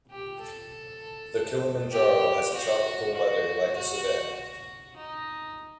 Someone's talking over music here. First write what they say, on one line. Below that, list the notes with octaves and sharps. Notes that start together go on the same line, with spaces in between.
The Kilimanjaro has a tropical weather like a savanna.
G4
A4
G4
F#4
F#4
F#4
F#4
D#4